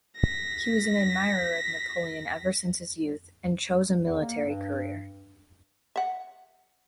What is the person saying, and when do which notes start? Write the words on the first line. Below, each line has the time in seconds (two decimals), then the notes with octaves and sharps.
He was an admirer of Napoleon ever since his youth and chose a military career.
0.16 A#6 B6
4.05 E2
4.21 A#3
4.46 G2
5.96 E5 F#5